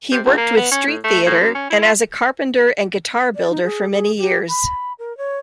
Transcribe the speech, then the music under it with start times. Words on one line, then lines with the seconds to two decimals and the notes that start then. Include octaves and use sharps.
He worked with street theatre, and as a carpenter and guitar-builder for many years.
0.11 C3
0.25 C#2
0.37 A#3
0.57 B3
0.71 C#4
0.87 A2
1.04 A3
1.26 A2
1.41 F#2
1.55 C#4
1.70 E4
1.82 F4
3.36 D5
3.50 D#4
3.63 G#4
3.92 G#4
4.18 G4
4.49 B5
4.99 A#4
5.18 C#5